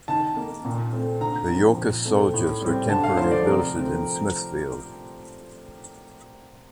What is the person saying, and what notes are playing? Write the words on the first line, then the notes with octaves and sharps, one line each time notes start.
The Yorkist soldiers were temporarily billeted in Smithfield.
D#3 A5
A#3
A#2
A3 C4
D3 A#5
F3 C4
A#2
A3 C4
A2
G3 C4
D3 A5
F5
F3 A3 C5
D5
C3 A#4
F3 A3 C4